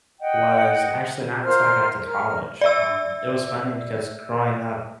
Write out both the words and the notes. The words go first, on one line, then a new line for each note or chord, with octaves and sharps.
was actually not 'till I got to college, um, it was funny because growing up,
D#5 F#5 G5
F4 A#4 C5 F6
A#4 F6
D5 E5 E6